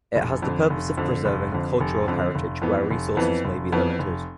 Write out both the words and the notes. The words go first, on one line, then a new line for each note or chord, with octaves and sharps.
It has the purpose of preserving cultural heritage where resources may be limited.
F1
F2 D3
F1
F2 D3
F1
F2 D3
F1
F2 D3
F1
F2 E3 B3
F1
F2 E3 B3
F1
F2 E3 B3
F1